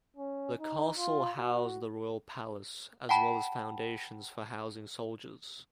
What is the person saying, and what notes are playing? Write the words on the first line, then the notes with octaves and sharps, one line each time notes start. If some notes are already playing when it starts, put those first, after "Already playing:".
The castle housed the royal palace, as well as foundations for housing soldiers.
C#4
D#4
F4
F#4
F#5 G5 A5 B5